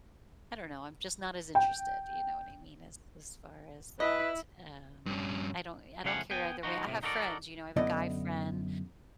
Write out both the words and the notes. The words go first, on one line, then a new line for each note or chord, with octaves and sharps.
I don't know, I'm just not as interested, do you know what I mean, as as far as that, um, I don't I don't care either way. I have friends, you know, I have a guy friend
G5
E4 B4 D#5
G2 C#4
C#3 F3 A3 F5 F#5 G#5
B3 G5 G#5
F3 D#4 F#4
A2 C3
D#4 F#4 A4 A#4 C#5 D5
F#2 D3 B3 E4 D5 D#5